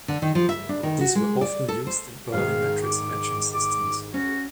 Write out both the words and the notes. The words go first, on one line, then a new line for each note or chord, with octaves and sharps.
These were often used in early matrix-matching systems.
D3
D#3
F3
E5
D4
D#3
F#4
G#3
D5
A4
C5
G#2 D#3 G#3 F5
D6
D6
C#4 F#4